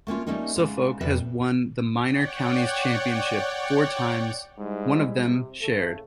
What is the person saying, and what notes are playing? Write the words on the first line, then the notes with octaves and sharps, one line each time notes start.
Suffolk has won the Minor Counties Championship four times, one of them shared.
A3 A#3 C#4 F4
G3 A3 A#3 C#4 D#4
G#2 C#3
F2 G3 B4 E5
C#5 D5 F#5 G5
G#2 G3 G#3 E4
C3
A2 C#3 A3 A4